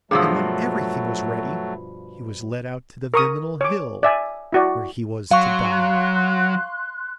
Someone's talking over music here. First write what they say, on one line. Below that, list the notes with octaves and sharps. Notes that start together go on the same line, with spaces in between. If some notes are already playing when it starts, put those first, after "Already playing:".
And when everything was ready he was led out to the Viminal Hill, where he was to die.
G2 B2 F3 F#3 A3 G#4 E6
A#4 C#6 D#6
C#5 D6
D5 E5 G#5
E4 F#4 D5
F#3 F5 C6 C#6 F#6